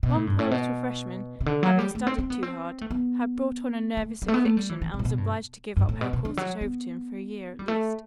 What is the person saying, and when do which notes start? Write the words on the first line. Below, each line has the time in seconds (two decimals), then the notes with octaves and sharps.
One poor little freshman, having studied too hard, had brought on a nervous affection and was obliged to give up her course at Overton for a year at least.
0.03 B2
0.15 A2
0.27 G2
0.39 A2
0.51 B2
1.40 C3
1.46 D3
1.63 F#3
1.79 G3
1.95 A3
2.07 C4
2.18 C4
2.30 B3
2.43 C4
2.81 A3
2.91 B3
3.97 A3
4.22 G3
4.28 A3
4.34 B3
4.45 A3
4.57 G3
4.69 E3
4.82 E3
4.94 C3
4.99 A2
5.05 B2
5.18 G2
5.77 G2
5.89 A2
6.01 B2
6.13 B2
6.25 D3
6.37 F#3
6.61 B3
7.59 G3
7.68 A3